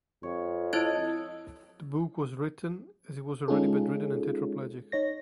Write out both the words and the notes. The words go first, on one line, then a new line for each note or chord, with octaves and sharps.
The book was written as he was already bedridden and tetraplegic.
F2 C#5
E4 A4 C#5 D#5 G#6
G#3 C#4 D#4 F4 G#4 A4
D#4 C#5 A#6